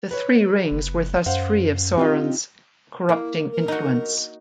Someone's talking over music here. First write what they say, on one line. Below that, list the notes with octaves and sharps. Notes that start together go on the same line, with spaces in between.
The Three Rings were thus free of Sauron's corrupting influence.
B4 C#5
F#1
F#2 C5 F5 F#5
C4 D#4 F4 G4
A#3 E4
A#4
D#4 F#4